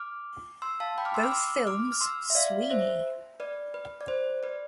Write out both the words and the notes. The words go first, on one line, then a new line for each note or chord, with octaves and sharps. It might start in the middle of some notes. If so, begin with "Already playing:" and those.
Both films, Sweeney!
Already playing: D6 F6
C6 E6
F5 A5
G5 B5
D6 F6
C6 E6
D6 F6
C6 E6
D6 F6
F6
C6 E6
E5
D5 F5
C5 E5
B4 D5
B4
D5
C5
B4 D5